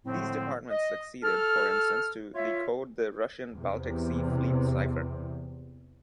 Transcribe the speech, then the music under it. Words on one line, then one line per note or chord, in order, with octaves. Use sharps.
These departments succeeded, for instance, to decode the Russian Baltic Sea Fleet cipher.
A2 D3 F3 G#3 A3 C4
D#5
A4 F6
F4 C#5 E5
E2 C3